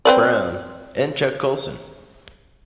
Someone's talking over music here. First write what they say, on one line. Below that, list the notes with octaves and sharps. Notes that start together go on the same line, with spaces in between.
Brown, and Chuck Colson.
C4 B4 D5